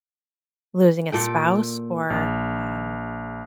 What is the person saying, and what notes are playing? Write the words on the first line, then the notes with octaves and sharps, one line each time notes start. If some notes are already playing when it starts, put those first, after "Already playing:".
losing a spouse or, um,
A#2 A4 G5
A#1